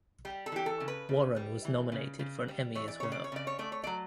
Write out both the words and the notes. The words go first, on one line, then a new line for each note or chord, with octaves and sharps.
Warren was nominated for an Emmy as well.
G3 G4
A4
E3 G4
A4
C#3
B4
C#3
G3
E3
C#3
C#3
G3
E3 C#5
D5
C#3 C#5
D5
C#5
C#3 D5
C#5
A3 D5
C#5
F#3 D5